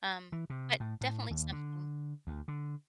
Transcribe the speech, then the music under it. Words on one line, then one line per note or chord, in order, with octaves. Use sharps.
um, but definitely something.
E3
C3
A2
A2
D#2
D3
D2
D3